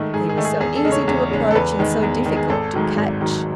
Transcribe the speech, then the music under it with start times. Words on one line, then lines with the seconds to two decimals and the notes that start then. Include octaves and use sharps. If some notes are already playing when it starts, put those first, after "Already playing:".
He was so easy to approach and so difficult to catch.
Already playing: G#2 D#3 A3 D#4
0.14 G#2 G#4
0.29 G#4
0.37 D#3 A3 D#4
0.45 G#4
0.60 E2 G#4
0.76 A4
0.84 C#3 G#3 D#4
0.92 C#5
1.08 E2
1.31 C#3 G#3 D#4
1.51 A4
1.55 E2 B4
1.79 D#3 G#3
2.03 E2
2.26 D#3 G#3
2.36 G#4
2.50 G#1 A4
2.73 G#2 D#3 F#3
2.96 G#1
3.20 G#2 D#3 F#3